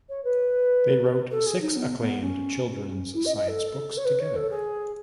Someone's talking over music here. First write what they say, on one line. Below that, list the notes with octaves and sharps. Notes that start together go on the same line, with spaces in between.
They wrote six acclaimed children's science books together.
C#5
B4
A4
G#4
D#4
B3
B3
C#4
E4
D#5
D#5
A4
C#5
B4
C#5
A4
G#4